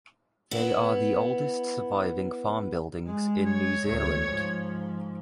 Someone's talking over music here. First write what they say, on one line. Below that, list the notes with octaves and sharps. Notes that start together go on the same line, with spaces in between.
They are the oldest surviving farm buildings in New Zealand.
B3 E4
G#3
C#5
D2 A3
G#2 F3